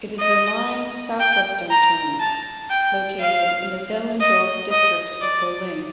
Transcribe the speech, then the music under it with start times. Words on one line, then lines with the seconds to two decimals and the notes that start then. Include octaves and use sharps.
It is the line's southwestern terminus, located in the Zehlendorf district of Berlin.
0.20 D#5
1.19 G5
1.70 A#5
2.20 A5
2.70 G5
3.20 F5
4.21 D#5
4.71 D#5
5.21 D5